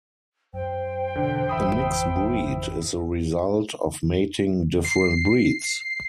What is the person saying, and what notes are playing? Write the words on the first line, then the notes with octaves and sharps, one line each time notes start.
A mixed breed is the result of mating different breeds.
F#2 C5 G5
E2 B2 D3
G#1 F2 E3 E5 B5 D#6
C7